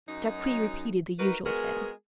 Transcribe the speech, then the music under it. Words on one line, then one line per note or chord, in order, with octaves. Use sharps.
Jacques repeated the usual tale.
F#2 F#3 D#4
D#4 F#4 A#4 B4
G#3 B3 F#4 G#4 A#4